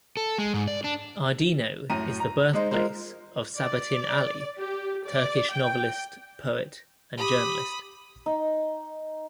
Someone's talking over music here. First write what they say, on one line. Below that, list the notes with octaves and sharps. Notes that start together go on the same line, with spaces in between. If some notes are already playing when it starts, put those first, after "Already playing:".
Ardino is the birthplace of Sabahattin Ali, Turkish novelist, poet and journalist.
A4
G#3
G#2
D5
D4
F#2 A2 A#5 D#7
A#5
G#3 D#4 C5
G#3 F4 A#4 C5
D5
G4
D5
G5
G4 B5 D#6
D#4